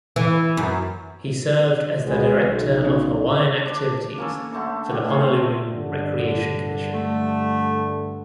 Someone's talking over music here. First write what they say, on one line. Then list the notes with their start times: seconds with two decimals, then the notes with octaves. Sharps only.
He served as the Director of Hawaiian Activities for the Honolulu Recreation Commission.
0.16 E3
0.57 F#2
2.05 C#2 G#3 B3
2.46 B1
2.85 C#3
3.66 D4 D5
4.18 A#3 C#4 A4
4.52 D3 A3 A4 C#6
4.89 A2 G4
5.08 A3 C4 F4 G#4
5.70 G2 D3
6.94 A3